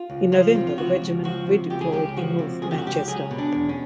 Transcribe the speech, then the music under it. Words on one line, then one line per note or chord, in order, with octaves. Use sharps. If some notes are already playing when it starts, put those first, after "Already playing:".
In November the regiment redeployed in North Manchester.
Already playing: F4
C#2
F3 F4
C3
F4
C#2 F#4
C#2
F3 F#4
C3
C#2 G4
G#4
C#2 G4
F3 F#4
C3
C#2 G#4
G4
F#4
C#2 G4
F#3 G#4
B2
D4
E2
C#4